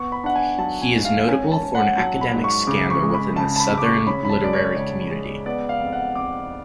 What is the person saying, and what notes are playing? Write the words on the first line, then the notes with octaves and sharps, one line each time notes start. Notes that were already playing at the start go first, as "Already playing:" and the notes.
He is notable for an academic scandal within the Southern literary community.
Already playing: B3 C#6
B5
D4 F#5
G#5
F#3 A5
G#5
G#2
F5
C#4 G#5
A5
C#4
F#5
F#3 A5
B5
G#2
C#6
C#3 D6
C#6
G#3
B5
C#3 A5
A5
B5
C#3
D6
C#6
C#4 B5
B5
A5
G#3 D5
C#5
C#2 C#5
G#3
B3 D5
F5
F2
F#5
F2 D6